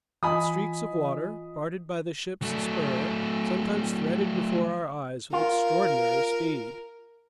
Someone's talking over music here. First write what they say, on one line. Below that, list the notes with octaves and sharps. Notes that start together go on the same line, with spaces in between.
But streaks of water, parted by the ship's spur, sometimes threaded before our eyes with extraordinary speed.
E3 F4 D#5 G#5 B5 D#6
F#3 A3
F4 A#4